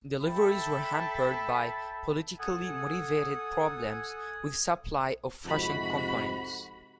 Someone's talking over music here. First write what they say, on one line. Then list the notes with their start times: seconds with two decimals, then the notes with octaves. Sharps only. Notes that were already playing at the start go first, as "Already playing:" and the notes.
Deliveries were hampered by politically motivated problems with supply of Russian components.
0.22 A4 E5 G5 A5 B5
2.40 A4 F#5 G#5 D#6
5.45 F2 G#2 C3 F#4 B5